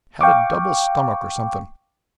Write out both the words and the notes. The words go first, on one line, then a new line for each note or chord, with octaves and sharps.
Had a double stomach, or something.
F5 G5 C#6 D6